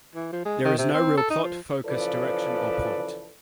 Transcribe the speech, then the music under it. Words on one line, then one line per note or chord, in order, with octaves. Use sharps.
There is no real plot, focus, direction or point.
E3
F3
G#3
D#3
C3
C4
A4
D#4
F3
C#3 E3 F3 A4 B4 D5